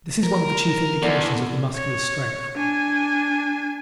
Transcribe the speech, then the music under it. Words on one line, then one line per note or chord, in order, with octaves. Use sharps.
This is one of the chief indications of the Muscular's strength.
A#4
E2 D3
C#5
D4 G#5